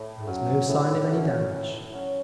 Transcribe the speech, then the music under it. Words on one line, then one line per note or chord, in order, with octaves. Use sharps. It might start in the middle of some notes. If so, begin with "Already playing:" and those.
There was no sign of any damage....
Already playing: A2
F#3 C#4
A2
F#3 C#4
A2
F#3 C#4